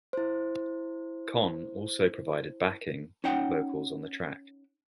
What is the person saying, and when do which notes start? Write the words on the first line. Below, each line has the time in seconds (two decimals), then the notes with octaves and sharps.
Conn also provided backing vocals on the track.
0.13 E4 C5
3.24 C#4 D#4 F#5 G5